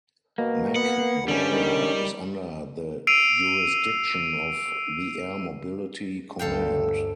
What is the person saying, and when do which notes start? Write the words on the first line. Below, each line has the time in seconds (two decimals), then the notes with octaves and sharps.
McGuire is under the jurisdiction of the Air Mobility Command.
0.38 B2 A#3
0.76 B3 F#5
1.28 D3 D#3 G3 C#4
1.51 D#3
3.07 E6 C7 D7 D#7 F7
6.39 G1 D2 A4 F5 G5